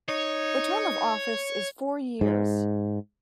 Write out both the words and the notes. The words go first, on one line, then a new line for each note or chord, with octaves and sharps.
The term of office is four years.
D#4 C#5
G#2